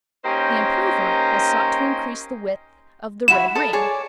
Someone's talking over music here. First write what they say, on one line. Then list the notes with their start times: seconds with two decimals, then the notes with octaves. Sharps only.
The improver has sought to increase the width of the red ring.
0.25 A#3 C#4 D#4 G4 C5
3.28 E4 F#4 B5 E7
3.55 A4 A#4 D#5
3.73 G#4 C#5 D5